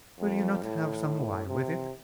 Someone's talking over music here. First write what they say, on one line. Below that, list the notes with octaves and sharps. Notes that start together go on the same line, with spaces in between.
"Will you not have some wine with it?"
F2
A2
C3